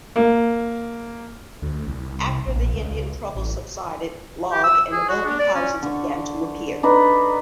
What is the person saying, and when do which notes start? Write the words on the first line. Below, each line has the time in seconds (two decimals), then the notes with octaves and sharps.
After the Indian troubles subsided, log and adobe houses began to appear.
0.16 A#3
1.62 D2
1.86 C2
2.47 A#1
2.74 C#2
3.35 A1
4.52 G4
4.64 E6
4.92 G#4
5.09 F#4
5.26 D4
5.39 D5
5.55 C#4
5.83 D3 C#6
6.83 D4 D#4 B4